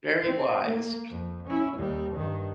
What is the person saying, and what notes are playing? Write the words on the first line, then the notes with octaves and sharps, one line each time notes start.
Very wise.
C4
A#3
F2
C#4 E4
D#2 G3
G2 D#3